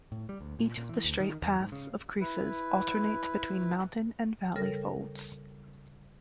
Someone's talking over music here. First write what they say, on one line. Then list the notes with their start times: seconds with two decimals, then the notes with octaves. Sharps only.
Each of the straight paths of creases alternates between mountain and valley folds.
0.12 A2
0.29 G3
0.41 D2
0.59 A#2
0.77 A#2
0.89 E3
1.04 D2
1.20 D#3
1.43 E2
1.60 G#2
1.72 C#3
2.21 E4 B4
4.56 C#3 G3 A4 A#4 A#6